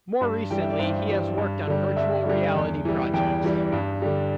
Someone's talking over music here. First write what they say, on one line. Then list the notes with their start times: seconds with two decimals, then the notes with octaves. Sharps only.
More recently he has worked on virtual reality projects.
0.21 G2
0.50 E3 G3 G5
0.60 E5
0.70 D5
0.79 G2 C5
1.08 E3 G3
1.38 G2
1.67 D3 G3
1.96 G2 E5
2.26 D3 G3
2.56 E2
2.85 E3 G3
3.13 E2 G5
3.44 E3 G3
3.72 G2
4.02 D3 G3